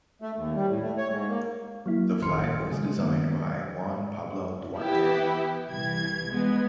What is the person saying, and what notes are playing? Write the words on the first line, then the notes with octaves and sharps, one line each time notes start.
The flag was designed by Juan Pablo Duarte.
A3
D#2
G3
A2
A3
C#5
G#2
A#3
F#3 A#3 E4
A1 F2 D#3 C6 F6 C#7
C#3 F3 G#3
D#3 A#3 B3
E3 B3 E4 G4
C2 E3 G#6
G#3 B3